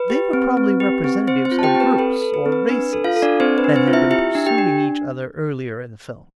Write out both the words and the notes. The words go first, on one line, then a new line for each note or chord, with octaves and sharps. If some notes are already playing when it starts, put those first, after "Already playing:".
They were probably representatives of groups or races that had been pursuing each other earlier in the film.
Already playing: B4
G4
C4
C4
G4
C4
C4 C5
C4 C5
F4
A5
G4 G5
C4
B4
A4 B4
B4
A4
B4
C4
B4
D4 B4
A4
F4 F5
A4
D4 D5
C4 D4 C5
B4
D4
C4 C5
F4
E4 E5
E4 G4 E5
D4
G4 G5
D4